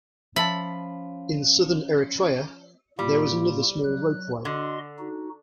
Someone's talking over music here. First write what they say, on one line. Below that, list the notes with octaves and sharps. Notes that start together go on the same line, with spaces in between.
In southern Eritrea there was another small ropeway.
F3 C#4 E5 A5 B5
A2 G3 A#3 F4
F#3 F#6
D3 F#4 D#5 C6
D#4 F#4